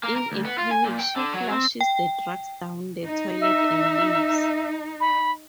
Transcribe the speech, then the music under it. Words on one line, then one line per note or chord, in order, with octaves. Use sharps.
In a panic, she flushes the drugs down the toilet and leaves.
A#3
A#4
D2
B3
F4
G#5
A#2
G5
D3
F#3
C4
G5
D#4
E5
B5